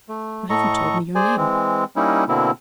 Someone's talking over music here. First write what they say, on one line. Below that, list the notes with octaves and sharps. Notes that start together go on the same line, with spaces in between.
"You haven't told me your name."
A3
A2 A4 D#5 A#5 C#6
G#4 C5 D5 G#5
E3 G#3 C4
G3 A#3 C#4 D#4 E4
B2 D3 A#3 C4 E4